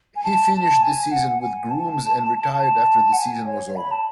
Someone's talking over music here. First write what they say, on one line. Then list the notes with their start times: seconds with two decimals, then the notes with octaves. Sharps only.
He finished the season with Grooms and retired after the season was over.
0.16 G#5
0.24 A5
0.53 A5
0.82 G#5
1.11 F#5
1.41 G#5
1.70 A5
2.58 A5
3.12 F#5
3.17 G#5
3.46 C#5
3.76 B5
3.91 A5